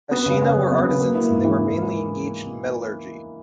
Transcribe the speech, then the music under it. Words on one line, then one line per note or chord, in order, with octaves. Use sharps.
Ashina were artisans, and they were mainly engaged in metallurgy.
B3
C#3
C#3
F#3
B3
C#3
A#3
E4
G#2
E3